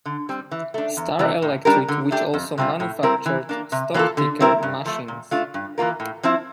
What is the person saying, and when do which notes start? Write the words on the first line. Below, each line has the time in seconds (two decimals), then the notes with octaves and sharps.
Star Electric, which also manufactured stock ticker machines.
0.05 D3
0.29 G3 C4
0.51 E3
0.74 A3 D4
0.97 E2
1.19 C3 E3
1.42 A2
1.65 G3 D4 G4 A#4
1.88 D3
2.11 A3 D4 G4
2.34 F2
2.58 C3 G3 C4 F4
2.80 A2
3.03 G3 C4 E4 A#4
3.26 E3
3.49 A#3 D4
3.72 C3
3.94 E3 A#3 F4 A4
4.17 D3
4.40 G3 C4 E4 A#4
4.63 G2
4.86 F3 A3
5.08 A#2
5.31 A3 D4 F4
5.54 G2
5.78 E3 A#3 F4 A#4
6.00 A2
6.23 F3 C4 E4